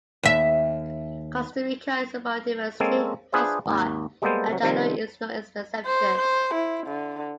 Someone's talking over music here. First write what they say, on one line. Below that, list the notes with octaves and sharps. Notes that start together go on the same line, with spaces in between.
Costa Rica is a biodiversity hotspot and Alajuela is no exception.
D#2 E5
G#3 A#3 C4 C#4 A4 C#5
D4 F4 G#4 B4 C5 E5
G#1 D#2
G3 G#3 A#3 B3 A4 C5
C3 F#3
C3 D#3 F3 G3 C4
C5
C5
E4
D3